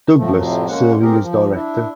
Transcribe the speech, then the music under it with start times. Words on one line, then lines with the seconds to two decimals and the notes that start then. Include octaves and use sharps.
Douglass serving as Director.
0.17 A2 F3 A3
0.36 F2 A2 C3 F3 F#3
0.69 G#3 A#3 C#4 F#5
1.02 C4 G4 G#4 A#4
1.21 F3
1.53 D4 E4